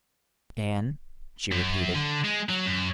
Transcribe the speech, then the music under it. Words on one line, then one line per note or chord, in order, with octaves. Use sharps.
"Dan?" she repeated.
F#2
D3
G#3
F#3
F#2